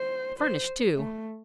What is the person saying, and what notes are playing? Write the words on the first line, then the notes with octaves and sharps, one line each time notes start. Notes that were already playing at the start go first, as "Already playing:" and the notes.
Furnished, too.
Already playing: C5
C5
A3